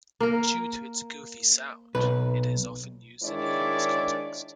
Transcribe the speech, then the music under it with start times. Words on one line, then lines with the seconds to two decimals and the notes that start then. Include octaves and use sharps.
Due to its "goofy" sound, it is often used in a humorous context.
0.20 A#3 A#4
1.95 B1 B4
3.24 D#3 G#3 D4 E4 C#5 D5